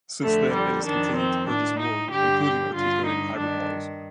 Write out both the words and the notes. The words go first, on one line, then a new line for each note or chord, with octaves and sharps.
Since then it has continued to purchase more, including articulated hybrid models.
F2 D3 A3
G3
F2 D#3 D4
C4
A2 D4
D#4
G2 D3 G4
G4
G2 D3 F4
D#4
G2 D#3 D4